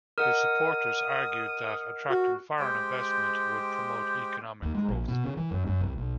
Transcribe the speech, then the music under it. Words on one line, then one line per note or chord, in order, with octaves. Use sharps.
His supporters argued that attracting foreign investment would promote economic growth.
A#4 D#5 F#5 D#6 F6
F#4
G#3 G4 C5 G5
D#2
G#3
A#1
B2
C#3
E3
F#2
F#2
C2
B1